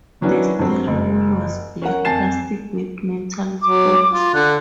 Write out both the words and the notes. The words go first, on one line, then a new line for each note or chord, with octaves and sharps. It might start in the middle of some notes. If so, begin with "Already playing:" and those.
The steering wheel was black plastic with metal spokes.
D#3 F#3 B3 C#4 D4 E4
G2 F#3 C4
F#1
C#4 A#4 F#5
F2 G#5 A5 A6 C7 E7
F#3 D6
F4
D3 F#6